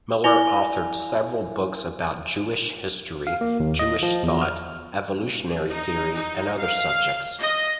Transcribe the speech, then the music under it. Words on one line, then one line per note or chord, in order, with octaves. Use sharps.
Miller authored several books about Jewish history, Jewish thought, Evolutionary Theory, and other subjects.
E4 D5 G#5 A#6 F7 G7
F5
A#3
D#2
D#5
F3
E2
F6
D#4
D#4
F5
D#5